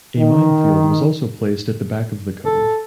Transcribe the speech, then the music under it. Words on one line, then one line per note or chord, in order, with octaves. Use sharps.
A minefield was also placed at the back of the cove.
D#3
A4